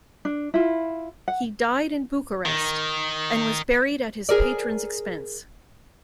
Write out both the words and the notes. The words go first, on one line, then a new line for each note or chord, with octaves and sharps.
He died in Bucharest, and was buried at his patron's expense.
D4
E4 F4
F#5
D#3
G#4 A#4 D5